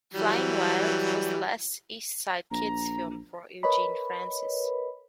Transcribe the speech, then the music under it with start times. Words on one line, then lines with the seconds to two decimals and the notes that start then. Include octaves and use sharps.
"Flying Wild" was last East Side Kids film for Eugene Francis.
0.14 E3 F#3 G3
2.51 A#1 A#5
3.63 A#4 B4 C#5 D#5 B5